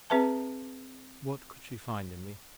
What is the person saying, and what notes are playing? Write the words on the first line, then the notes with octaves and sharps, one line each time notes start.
What could she find in me?
C4 G#4 B4 E5 A5